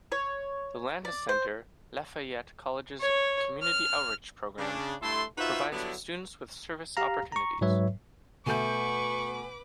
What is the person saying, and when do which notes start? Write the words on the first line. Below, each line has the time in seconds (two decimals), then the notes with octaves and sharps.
The Landis Center, Lafayette College's community outreach program, provides students with service opportunities.
0.12 C#5
1.05 D5
1.29 C5
3.00 C#5
3.62 F6
4.59 C#3 D4
5.02 G2 A3 E4 A4 C6
5.38 D#4 F4 F#4 B4 C5 E5
5.72 D3 F#3 G3 B3 D4 E4
6.97 G4 F5 A#5
7.32 A#5 C#6
7.61 G#2 F#3 B4 C#5 E5
8.46 B2 A3 B4 G#5 C#6 D6 G6